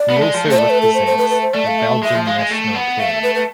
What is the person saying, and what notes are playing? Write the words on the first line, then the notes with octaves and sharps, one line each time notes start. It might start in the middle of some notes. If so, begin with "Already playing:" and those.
He also represents the Belgium national team.
Already playing: D5
B3
A3
G#3
F3
A3
C5
D5
B4
A4
C5
C5
B4
B4
C5
A3 D5
F5
E5
G#3 E5
F3
G#3 F5
G#3
A3
B3
A3 F5
E5
B4
B4